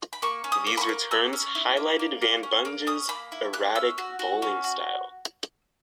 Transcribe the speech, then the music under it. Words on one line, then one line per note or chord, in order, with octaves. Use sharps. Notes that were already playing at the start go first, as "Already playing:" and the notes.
These returns highlighted Van Bunge's erratic bowling style.
B5
A#3 C#6
C#4
D#6
A#3
B5
C#6
A#3
A#3 E6
C#4
E4
A#3
A#3
A#3
C#4
A#3
C#4 D#6
A#3 B5
E4
A#3 F#6
C#4 E6
F#4
F#4
C#4
F#4